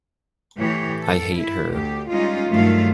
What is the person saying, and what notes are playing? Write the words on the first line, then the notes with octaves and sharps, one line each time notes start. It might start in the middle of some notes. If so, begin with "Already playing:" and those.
I hate her.
A2 E3 G4 C#5
A4
E4
D2 G4
G3 G#3 C#4 D#4 F4
G2 D#3 F#3 A3 F4 F5